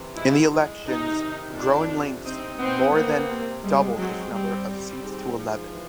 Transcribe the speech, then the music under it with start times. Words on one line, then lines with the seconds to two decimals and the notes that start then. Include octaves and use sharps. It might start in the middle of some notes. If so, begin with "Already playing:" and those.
In the elections, GroenLinks more than doubled its number of seats to eleven.
Already playing: C3 E3
0.15 G#3 E4
0.51 G#3
0.86 C3 D#4
1.20 D#3
1.55 F2 D4
1.89 C3
2.24 C4 D#4
2.59 B3 C4
2.94 A#3 C4
3.28 C3
3.63 G3 G#3
3.97 F#3 C4
4.32 G3 C4
4.67 C4
5.02 G#2
5.37 F3
5.71 E3